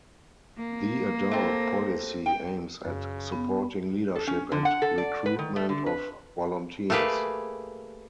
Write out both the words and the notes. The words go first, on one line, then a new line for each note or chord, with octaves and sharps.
The adult policy aims at supporting leadership and recruitment of volunteers.
A#3
A3 C4
G5
F#2 C#3
B3
A4
C#4
D3
F#5
A4
D5
B4
D#3
A3
D3
B4
A3 A#3 G4 G#4 B4